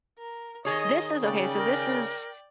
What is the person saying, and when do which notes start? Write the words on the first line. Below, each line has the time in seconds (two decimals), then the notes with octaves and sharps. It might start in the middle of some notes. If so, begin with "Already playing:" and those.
this is okay, so, this is
0.19 A#4
0.65 D#3 G#4 C#5 D#5 D#6
1.23 C#3 D5 G5
1.57 A#4